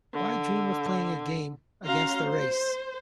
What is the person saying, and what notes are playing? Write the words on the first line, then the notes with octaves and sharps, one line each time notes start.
Why dream of playing a game against the race?
D3
C#4 F#4 F5 A#5 C6
C5